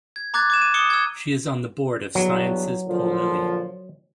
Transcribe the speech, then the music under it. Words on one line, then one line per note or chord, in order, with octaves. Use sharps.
She is on the board of Sciences Po Lille.
G#6
A#5 D6 F#6 G#6 A6
D6 G#6 E7
D#7
D6 D#6 C#7 G7
E6 G#6
E2 G2 F#3 B3
A#2 D3 F3